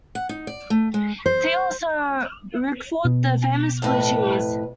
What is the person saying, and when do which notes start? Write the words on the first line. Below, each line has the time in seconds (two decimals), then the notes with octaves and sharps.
See also Roquefort, the famous blue cheese.
0.15 F#5
0.29 D#4
0.47 D5
0.70 A3
0.94 G#3
1.26 C5
3.05 B2
3.82 F2 A2 B4